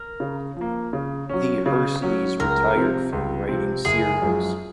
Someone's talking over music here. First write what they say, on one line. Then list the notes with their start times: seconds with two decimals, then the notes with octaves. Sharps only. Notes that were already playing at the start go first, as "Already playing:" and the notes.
The Hursleys retired from writing serials.
Already playing: A#4
0.20 C#3
0.57 F3 A#3
0.93 C#3
1.29 F#3 C#4
1.66 C#3
2.02 F#3 C#4
2.39 C#2 A#4
2.75 C3 F3 C4
3.13 C#2
3.49 C3 F3 C4
3.85 F#1 G#4
4.22 F#2 F3 G#3